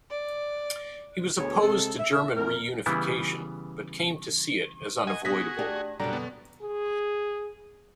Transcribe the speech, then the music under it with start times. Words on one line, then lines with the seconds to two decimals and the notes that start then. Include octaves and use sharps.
He was opposed to German reunification but came to see it as unavoidable.
0.10 D5
1.38 D2 B2 B3 G#4 C#5
1.61 C3 G#3 A4
1.99 E5
2.36 F2 A#2 A#4
2.86 C#3 E3 G3 B3 E4
5.07 D#5 F#5 G#5
5.25 B3 F#4 G#4 D#6 A#6 B6
5.59 D4 G4
6.00 F#2 B2 D3 F#3 G3 D4 A#5
6.13 B3
6.62 G#4